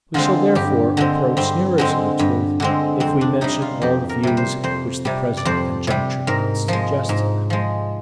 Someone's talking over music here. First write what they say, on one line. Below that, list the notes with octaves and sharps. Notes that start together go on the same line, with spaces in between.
We shall, therefore, approach nearer to the truth, if we mention all the views which the present conjuncture could suggest to them.
D3 G#3 C4 F4
G2 G4
D3 G#3 C4
G2 C4
D3 G#3 C4
G2
D3 G#3 C4
F2 C4
D4
C3 G3 D#4
F4
F2 G4
A#4
C3 G3
C5
F2 C5
C3 G3
D5
F2 C5
C3 G3
G#2 A#4
F3 G#3
G#2
F3 G#3